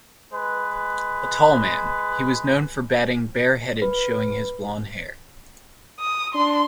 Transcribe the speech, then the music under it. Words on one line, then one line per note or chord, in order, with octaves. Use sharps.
A tall man, he was known for batting bare-headed showing his blonde hair.
G#3 B4
B4
D#6
D4 C6